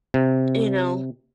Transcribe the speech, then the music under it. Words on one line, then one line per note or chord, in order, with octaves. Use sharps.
you know?
C3